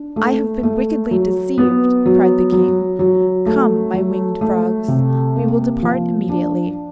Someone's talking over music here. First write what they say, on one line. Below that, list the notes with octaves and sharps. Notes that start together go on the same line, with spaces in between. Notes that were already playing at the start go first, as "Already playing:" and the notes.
"I have been wickedly deceived!" cried the king; "come, my winged frogs, we will depart immediately."
Already playing: D4
A3
A3
F#3
B3
F#3
F#3
F#3
A3
F#3
A3
C3
A#3
F3
D4